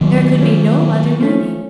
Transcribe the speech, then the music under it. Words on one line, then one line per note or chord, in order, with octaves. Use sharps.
There could be no other meaning.
A#2 D#3 F#3
F3 A3 C#4
A#2
F3 A3 C#4